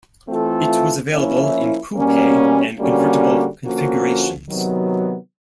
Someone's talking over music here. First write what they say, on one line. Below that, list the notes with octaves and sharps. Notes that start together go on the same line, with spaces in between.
It was available in coupe and convertible configurations.
E3 A3 C4 F4 A4
F3 A#3 C#4 E4
B2 G3 A#3 C#4
D3 G3 A#3 C#4 F#4
D3 F3 A#3 C#4 F#4
C3 D#3 F#3 B3